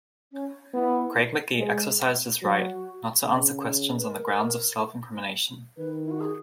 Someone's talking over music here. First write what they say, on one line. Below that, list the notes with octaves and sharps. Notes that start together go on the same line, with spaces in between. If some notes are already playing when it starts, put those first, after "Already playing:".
Craig McGee exercised his right not to answer questions on the grounds of self-incrimination.
C#4
B3 E4
G#3
F#3 F#4
C#3
B4
A#4
D#3 B4
E4
F#4
G#4